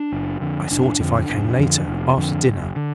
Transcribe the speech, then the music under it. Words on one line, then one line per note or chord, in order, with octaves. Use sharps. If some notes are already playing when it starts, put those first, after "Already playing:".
I thought if I came later, after dinner.
Already playing: D4
F#1
F2 D3
F#1 D4
F2 D3
F1
F2 D3
F1
F2 D3
F#1
D3